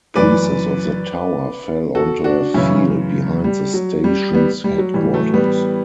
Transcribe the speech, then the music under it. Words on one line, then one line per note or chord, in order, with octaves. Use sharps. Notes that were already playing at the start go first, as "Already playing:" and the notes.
Pieces of the tower fell onto a field behind the station's headquarters.
F#2 E3 B4 D5
F#4 A4
D4 F#4
F#2 C#3 E3 C#4 E4
G3
F#3
G3
G3 B3
G3
F#3
A2 E3 G3
F#3 A3
G3 B3